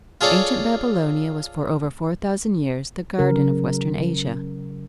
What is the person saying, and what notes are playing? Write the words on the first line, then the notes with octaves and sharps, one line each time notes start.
Ancient Babylonia was for over four thousand years the garden of Western Asia.
F4 G#4 A4 C#5 D5
C#3 F#3 A#4